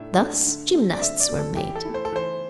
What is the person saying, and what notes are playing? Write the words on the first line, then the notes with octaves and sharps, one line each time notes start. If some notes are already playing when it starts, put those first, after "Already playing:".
Thus gymnasts were made.
Already playing: A2 A3 D4 E5
A3 D4
D3
A3 C4
D5
D3 E5
D5
A3 C4
A4
E3 G4
A4
A3 E4
C5
A4
E3 C5